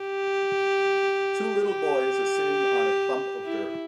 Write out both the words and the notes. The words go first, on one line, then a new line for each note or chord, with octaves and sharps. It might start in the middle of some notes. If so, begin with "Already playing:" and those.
Two little boys are sitting on a clump of dirt.
Already playing: G4
G4
E4